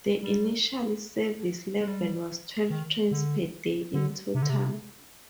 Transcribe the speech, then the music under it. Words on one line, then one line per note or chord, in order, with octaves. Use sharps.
The initial service level was twelve trains per day in total.
G3
G#3
G3
D#3
D3
D3
C3
D3
C3